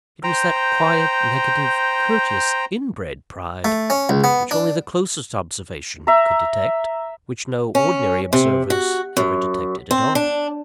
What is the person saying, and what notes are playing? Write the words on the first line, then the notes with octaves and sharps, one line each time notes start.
It was that quiet, negative, courteous, inbred pride, which only the closest observation could detect; which no ordinary observers ever detected at all.
C5 G5 A#5
A3
C#4
C#2
B3
D4
E5 A#5
C#4
C3
F#4
F#2
C4
D4